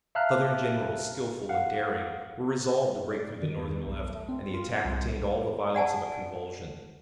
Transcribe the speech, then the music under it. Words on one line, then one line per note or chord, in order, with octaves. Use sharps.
The Southern generals, skillful and daring, were resolved to break through the Northern left, and the attack attained all the violence of a convulsion.
E5 F5 A5 A#5 F6 F#6
F5 F#5
D5
D#3
E2
B1
A3
C4
F4
C2
D5 F#5 G#5 A5